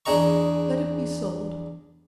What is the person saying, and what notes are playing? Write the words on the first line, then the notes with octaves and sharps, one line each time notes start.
Let it be sold.'
E2 D4 G#4 D#5 A#5 C#6